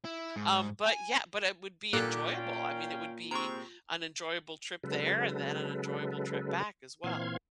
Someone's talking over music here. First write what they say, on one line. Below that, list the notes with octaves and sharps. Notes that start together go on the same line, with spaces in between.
Um, but yeah, but it would be enjoyable. I mean, it would be an enjoyable trip there and then an enjoyable trip back as well.
E4
G#2
G#5
A#2 D3 D#3 A#3 G4 A4 F#6
C#4 F5 G5
C3 G#3 C4 A#5 C#6
C#3 F#3 G#3 A4 B4
A#2 E3 C4 F5 C6 G#6